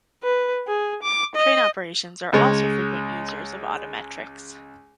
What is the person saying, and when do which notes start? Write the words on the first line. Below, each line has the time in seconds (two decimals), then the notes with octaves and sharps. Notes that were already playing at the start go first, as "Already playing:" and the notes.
Train operations are also frequent users of odometrics.
0.23 B4
0.68 G#4
1.03 D6
1.35 D#5
2.33 C#2 G#3 C#5